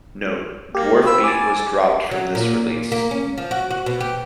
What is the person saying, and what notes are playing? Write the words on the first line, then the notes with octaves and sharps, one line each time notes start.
Note: "Dwarfbeat" was dropped from this release.
A#3 G4
C4 B5 E6
G#5 D6 A6
D6
F#3
A#2
A#3
C#4
F3
F#4
F#4
B2
G4